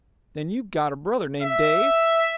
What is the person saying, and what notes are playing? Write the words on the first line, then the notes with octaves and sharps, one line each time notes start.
"Then you've got a brother named Dave?"
E5